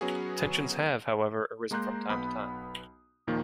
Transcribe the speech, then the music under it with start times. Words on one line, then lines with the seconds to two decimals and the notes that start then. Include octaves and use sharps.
Tensions have, however, arisen from time to time.
0.01 F#3 B3 C#4 F#4 G#4
1.71 G#3 A#3 A#5 C6 F#6 G6
2.09 B1 B3 B5 D#6
3.27 D#2 A#2 D#3 F3 A#3